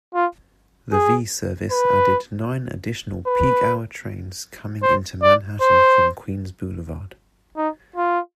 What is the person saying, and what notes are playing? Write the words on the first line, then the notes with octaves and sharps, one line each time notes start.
The V service added nine additional peak-hour trains coming into Manhattan from Queens Boulevard.
F4
G#4
B4
B4
C5
D5
C5
D#4
F4